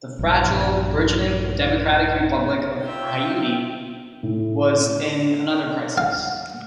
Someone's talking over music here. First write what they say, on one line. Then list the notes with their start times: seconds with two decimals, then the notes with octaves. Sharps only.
The fragile, burgeoning democratic republic of Haiti was in another crisis.
0.19 A#1 G2
2.83 F4 E5 G5
4.23 A2
5.98 F5